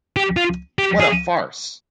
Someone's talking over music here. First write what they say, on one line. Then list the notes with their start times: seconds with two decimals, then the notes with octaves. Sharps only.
What a farce!
0.17 G4
0.37 F4
0.79 G4
1.00 G#4